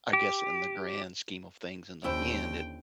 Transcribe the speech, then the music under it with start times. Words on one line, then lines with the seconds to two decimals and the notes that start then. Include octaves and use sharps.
I guess in the grand scheme of things in the end it
0.13 G4
2.04 D#2 D3 C#4 E4 C5 G5